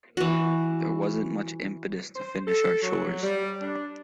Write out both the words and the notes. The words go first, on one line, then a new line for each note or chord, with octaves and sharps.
There wasn't much impetus to finish our chores.
E3 F#4
C5
A4
F#3
G3
D4